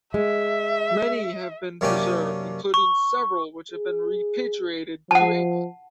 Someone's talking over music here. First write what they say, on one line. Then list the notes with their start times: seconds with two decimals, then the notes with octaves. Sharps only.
Many have been preserved, including several which have been repatriated to England.
0.14 G#3 E5
1.81 F#2 C3 A#3 C#4 D4 G5
2.74 C#6
3.71 G#4
5.11 F3 F#5 A5